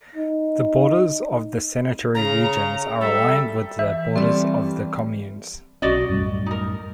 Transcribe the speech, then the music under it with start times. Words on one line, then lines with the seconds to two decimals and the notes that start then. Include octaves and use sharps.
The borders of the sanitary regions are aligned with the borders of the communes.
0.15 D#4
2.15 C#3 A#5
3.01 G3 A4 E5
3.79 E3 E5
4.16 E3 G3 A3 C4 D5 E5
5.82 B1 C#4 F#4 D5 D#5
6.10 F#2 A2 G3
6.46 D#4 A#4